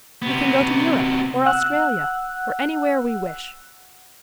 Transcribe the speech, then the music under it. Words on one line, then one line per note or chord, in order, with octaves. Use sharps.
We can go to Europe, or Australia, or anywhere we wish.
C3 B3
F#5 E6 F#6